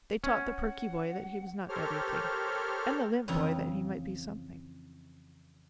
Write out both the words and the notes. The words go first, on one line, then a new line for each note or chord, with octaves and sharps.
They taught the perky boy that he was not everything, and the limp boy that he might be something.
C#4 F#5
G4 A4 A#4 C5 C#5 F6
F2 C#3 E3 E4 F4 A#5